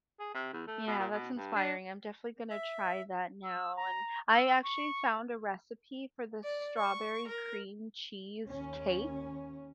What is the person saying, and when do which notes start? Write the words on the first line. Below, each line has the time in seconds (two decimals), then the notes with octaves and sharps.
Yeah, that's inspiring, I'm definitely gonna try that now and I actually found a recipe for the strawberry cream cheese cake.
0.20 G#4
0.34 C3
0.53 E2
0.67 A3
0.87 B2
0.99 A#2
1.13 B2
1.36 G2
1.56 D4
2.50 E5
3.44 E6
3.76 A#5
4.34 E6
4.63 C#6
6.44 D5
6.77 C#6
7.28 A#4
8.46 D#2 C#4